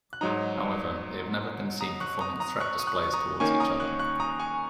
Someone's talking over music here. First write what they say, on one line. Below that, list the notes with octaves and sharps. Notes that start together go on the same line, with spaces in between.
However, they have never been seen performing threat displays towards each other.
F#6
G#2 F#3 D#4 A#5 D#6
A#5 D#6
C#6 F#6
A#5 D#6
A#5 D#6
C#6 F#6
D#6
C#6 F#6
C#6
A#5 D#6
D#3 A#3 C#4 G#5 C#6
A#5 D#6
C#6 F#6
C#6 F#6
A#5 D#6
G#5 C#6